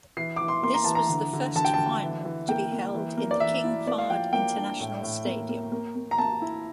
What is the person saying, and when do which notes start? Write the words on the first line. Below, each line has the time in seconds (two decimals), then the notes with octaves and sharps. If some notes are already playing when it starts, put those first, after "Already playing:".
This was the first final to be held in the King Fahd International Stadium.
0.17 E3 C7
0.36 E3 D6
0.48 C6
0.63 A#3 C6
0.74 A#5
0.84 E3 A5
0.95 A#5
1.09 D3
1.33 D3
1.55 D3 A5
1.65 G5
1.74 D3 A5
2.02 E3
2.25 E3
2.48 A#3 G5
2.72 A#3
2.94 E3
3.17 A#3
3.31 D5
3.40 E3 E5
3.64 E4
3.87 A#3 D5
3.98 F5
4.10 F3 G5
4.33 A#3 G5
4.56 D4
4.80 A2
5.03 A2
5.25 A#3
5.49 A#3
5.72 A#3
5.95 A#3
6.11 A#5
6.18 A#3 A5
6.42 E4